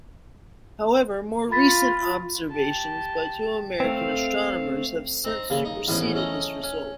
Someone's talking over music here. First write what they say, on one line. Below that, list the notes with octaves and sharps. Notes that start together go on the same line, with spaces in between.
However more recent observations by two American astronomers have since superseded this result.
F4 B5 A6 B6
G4 A5
A3 C4 F5
C4 D#4 A#5
D#2 C#3
D#4
A1 G#2 D#3 B3 C#4
A3 C#4 D#5 A#5
C#4